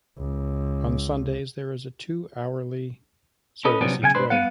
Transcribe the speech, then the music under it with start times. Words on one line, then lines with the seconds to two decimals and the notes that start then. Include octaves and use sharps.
On Sundays, there is a two-hourly service each way.
0.18 C#2
3.65 C#4 A4 B4 D#5
3.81 C3 F3 F#3 B3 C#4 D4
4.02 B1 C#3 F#5 G#5
4.15 G#2 D4 B4 C5
4.30 G3 B3 B4 F5 F#5